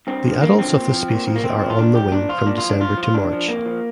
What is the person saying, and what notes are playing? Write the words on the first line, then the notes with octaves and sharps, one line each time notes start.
The adults of this species are on the wing from December to March.
G2 C4
D3 F3
G2 A#3
D3 F3 C4
A#2
F3
A#2
F3
A#3
A#2 C4
F3
F4
A#2 D4
F3 G4
A#2 D4
F3 F4
A#2 D4
F4
F3
D4
G2 F4
F3
F4
G2 D4
F3
F2 A#3
F3